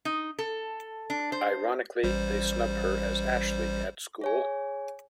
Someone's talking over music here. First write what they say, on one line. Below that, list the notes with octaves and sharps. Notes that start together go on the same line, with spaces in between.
Ironically they snub her, as Ashley, at school.
D#4
A4
D4
C5
A1 G3 C5
G#4 C#5 G#5